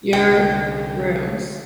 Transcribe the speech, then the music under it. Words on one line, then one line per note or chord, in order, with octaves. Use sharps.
Your rooms.
C2 D3 G5